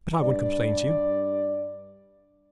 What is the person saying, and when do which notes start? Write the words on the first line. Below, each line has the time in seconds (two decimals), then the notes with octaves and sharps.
But I won't complain to you!
0.21 G2 D5